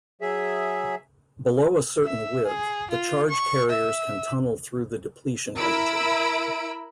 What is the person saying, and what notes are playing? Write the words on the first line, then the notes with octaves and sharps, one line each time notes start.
Below a certain width, the charge carriers can tunnel through the depletion region.
F#3 G#4 E5
E5
G#4
F4
C#6
E5
E4 A#4 B5 E6 D7